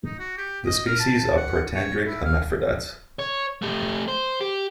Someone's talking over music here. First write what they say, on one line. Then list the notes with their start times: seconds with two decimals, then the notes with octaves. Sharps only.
The species are protandric hermaphrodites.
0.05 D#4
0.19 F#4
0.38 G4
0.66 D#5
0.86 A#4
1.00 A5
1.19 A5
1.37 F#5
1.74 C#5
2.06 E4
2.25 F5
3.19 C#5
3.62 A3 G4
4.08 C5
4.41 G4